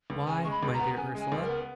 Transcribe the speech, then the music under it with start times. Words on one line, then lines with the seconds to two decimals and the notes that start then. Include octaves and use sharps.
"Why, my dear Ursula?"
0.10 C#2
0.27 C#3 G#5
0.44 G#3 C#6
0.51 B5
0.63 C#2
0.74 A#5
0.79 B3
0.96 C#3 G#5
1.15 G#3 G#5
1.32 C#2
1.43 A#4
1.49 B3